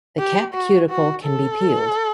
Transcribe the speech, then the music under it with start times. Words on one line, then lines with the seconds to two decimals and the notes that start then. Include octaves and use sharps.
The cap cuticle can be peeled.
0.19 G4
0.53 F#4
0.89 F#4
1.24 A4